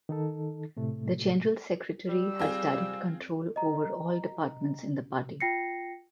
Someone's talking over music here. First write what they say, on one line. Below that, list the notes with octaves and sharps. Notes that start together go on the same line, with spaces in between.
The General Secretary has direct control over all departments in the party.
D#3 D#4 A4
A2 C3 A3
G3 E6
C4 F4 G#4
D#5 A#5
F4 G5 A#6 C7 C#7